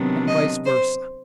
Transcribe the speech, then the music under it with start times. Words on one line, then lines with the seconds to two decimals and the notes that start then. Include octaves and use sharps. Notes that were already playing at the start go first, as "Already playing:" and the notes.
And vice versa.
Already playing: C3 D#3 F#3 B3 D4
0.27 D#5
0.66 C5